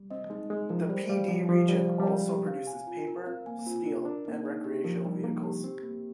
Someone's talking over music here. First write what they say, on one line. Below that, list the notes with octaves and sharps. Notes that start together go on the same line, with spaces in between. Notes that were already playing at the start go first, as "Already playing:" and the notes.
The Pee Dee Region also produces paper, steel, and recreational vehicles.
Already playing: G3
C4 D#5
G#3 D#4
G#3 D#4
F3 A#4
G3 C5
G3 F5
F3 C4
F3 G4
G3 C5
F5
G3
G#3 C4
G4
C4 F5
G#5
F4
A#4
C4 F5
A#3 G#5
A#3
C4 F4
D4 A#4
D4 A#4
A#3 D#4
C4
D#4
G4
F3 A#4
G3 D#4
A#3 D#4
G4
C4 G4
A#3